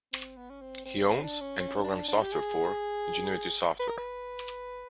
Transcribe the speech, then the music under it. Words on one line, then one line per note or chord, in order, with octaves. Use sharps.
He owns, and programs software for, Ingenuity Software.
C4
B3
C#4
C4
C4
C4
D4
C#4
C#4
D4
D4
G4
G#4
B4
A#4
B4